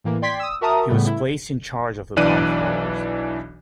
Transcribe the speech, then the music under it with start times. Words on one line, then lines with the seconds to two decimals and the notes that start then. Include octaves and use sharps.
He was placed in charge of the bombthrowers.
0.04 A2 E3 A#3
0.22 D5 G5 C6 G#6 B6
0.40 D#6 E6
0.61 F#4 A#4 E5 A5 A#5 D#6
0.89 A2 C#3 G3 A3 B3
1.06 E4
2.16 B1 E3 D4 D5 F#6 D#7